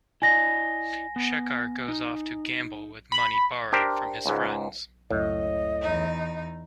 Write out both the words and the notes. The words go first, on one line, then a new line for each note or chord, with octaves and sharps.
Shekhar goes off to gamble with money borrowed from his friends.
E4 D5 D#5 G#5 A#6
B3
D#4
B5
D4 G4 A#4 C5
C#2 G#2
F#1 C#2 F#2 A2 D#5
E2 D#4